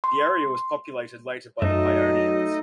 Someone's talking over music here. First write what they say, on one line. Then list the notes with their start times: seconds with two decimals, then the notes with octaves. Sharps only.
The area was populated later by the Paionians.
0.04 C6
1.62 F#2 F#3 A3 D#4 D#5